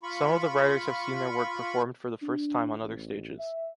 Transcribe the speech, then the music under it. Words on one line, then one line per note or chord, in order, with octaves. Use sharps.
Some of the writers have seen their work performed for the first time on other stages.
F4 B5 C#6
D4
A1
E5